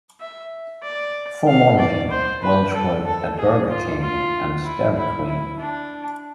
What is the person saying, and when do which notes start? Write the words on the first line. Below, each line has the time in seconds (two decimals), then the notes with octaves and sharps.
Before modeling, Walsh worked at Burger King and Dairy Queen.
0.21 E5
0.84 D5
1.48 F5
1.79 D5
2.11 C5
2.43 B4
2.75 A4
3.06 A4
3.38 G#4
3.70 F4
4.02 F4
4.65 E4
4.97 E4
5.29 E4
5.60 D4